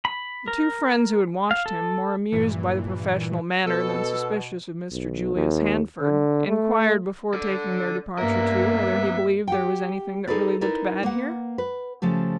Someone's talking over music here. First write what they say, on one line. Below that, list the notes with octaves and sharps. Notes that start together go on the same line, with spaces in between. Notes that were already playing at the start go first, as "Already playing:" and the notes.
The two friends who had watched him, more amused by the professional manner than suspicious of Mr Julius Handford, inquired before taking their departure too whether he believed there was anything that really looked bad here?
B5
A#4
F5
A4
G2 A#2 E3
B2 A4
B1
D#2
D3
A3
A4 D5
G2 A#3 B3 A#4 E5
G4 F#5 G5
D#4 G#4 A4 B4 D5
D#4 E4 A#4 B4 D5
A#3 B4 F#5
B4
C#3 F3 A3 G4